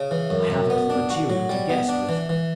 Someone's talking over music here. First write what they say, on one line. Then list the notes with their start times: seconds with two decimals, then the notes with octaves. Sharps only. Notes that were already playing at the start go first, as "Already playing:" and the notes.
I haven't the material to guess with.
Already playing: C#3
0.11 E3
0.30 F#2
0.50 F#2
0.70 B3
0.90 D4
1.10 F#4
1.30 F#3
1.49 G3
1.69 B3
1.89 D4
2.09 E3
2.29 E3